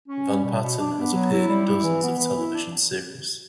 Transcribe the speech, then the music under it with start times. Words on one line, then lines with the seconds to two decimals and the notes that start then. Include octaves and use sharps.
Van Patten has appeared in dozens of television series.
0.08 C#4
0.27 G3
0.44 B2
0.62 B2
0.79 D4
0.97 B3
1.13 F#3
1.31 E4
1.48 G3
1.66 E4
1.83 E3
2.01 B3
2.18 E3
2.35 E4
2.53 D4